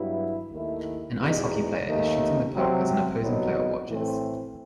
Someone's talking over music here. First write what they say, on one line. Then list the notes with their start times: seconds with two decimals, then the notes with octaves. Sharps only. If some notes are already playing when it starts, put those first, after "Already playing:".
An ice hockey player is shooting the puck as an opposing player watches.
Already playing: G2 F#3 B3 E4
0.52 D#2 D#3 A3 E4
1.19 E2 B2 G3 D#4
1.87 D#2 D#3 A3 D#4
2.55 C3 F#3 C4
3.22 C2 B2 F#3 B3 D#4
3.89 A2 E3 A3 C4